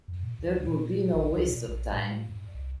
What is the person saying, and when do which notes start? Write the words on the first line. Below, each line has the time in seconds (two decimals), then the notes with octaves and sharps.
There would be no waste of time.
0.08 F#2
0.23 A#2
0.39 D2
0.66 A#2
1.14 A#1
1.31 C#2
1.49 B2
1.68 A#1
1.93 A2
2.29 G2
2.54 C2